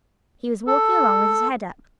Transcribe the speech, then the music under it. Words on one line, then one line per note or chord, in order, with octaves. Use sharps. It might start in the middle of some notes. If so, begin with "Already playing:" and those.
He was walking along with his head up.
A4